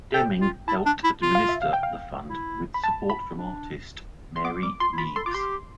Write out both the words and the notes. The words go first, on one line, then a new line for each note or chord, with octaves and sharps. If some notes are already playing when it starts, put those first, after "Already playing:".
Deming helped administer the Fund, with support from artist Mary Meigs.
A4 G5
F4
E4 A5
D4
E4
F4
F5
E5
F5
G5
F5
E4
B5
A5
B5
D4
C6
B3 D6
G3 D6
F4 C6
E4
F4 B5
A4 C6
F4 D6
G4 C6